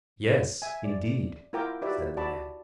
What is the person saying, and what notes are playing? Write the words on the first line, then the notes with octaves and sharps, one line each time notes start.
"Yes, indeed," said the man.
E5 G#5
D5
E4 F4 A#4 F#5 G5 D6
D#4 F#4 G4 B4 D5 E5
F#4 D5 A5 B5